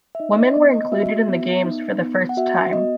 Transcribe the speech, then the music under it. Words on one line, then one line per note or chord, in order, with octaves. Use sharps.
Women were included in the games for the first time.
E5
D#4 D#5
D#5
B3 D#5
D#5
F#4 E5
B3
D#4
B3
F#5
F#4 E5
B3 D#5